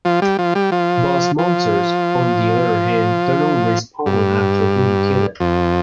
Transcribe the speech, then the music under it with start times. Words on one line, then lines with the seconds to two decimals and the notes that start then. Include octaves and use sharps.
Boss monsters, on the other hand, do not respawn after being killed.
0.05 F3
0.22 G3
0.39 F3
0.55 G3
0.72 F3
1.38 F3
4.06 G2
5.40 F2